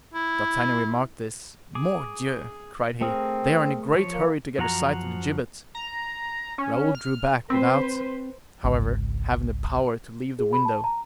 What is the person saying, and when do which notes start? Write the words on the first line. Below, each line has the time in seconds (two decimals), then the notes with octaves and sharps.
D'Artagnan remarked this. "Mordioux!" cried he, "they are in a great hurry to get a sight of the gibbet!" Raoul drew back, without, however, having the power to leave the window.
0.14 E4
1.75 G#4 D6
3.01 A3 C4 G#4 A#4
3.95 F3 C#5
4.14 A#3
4.58 F#2 F3 F#4 A#5
5.75 A#5
6.58 C#4
6.95 F6
7.50 C4 B4 C5
8.64 G#1 C#2
10.39 G#4
10.53 B5
10.65 A5
10.84 A#5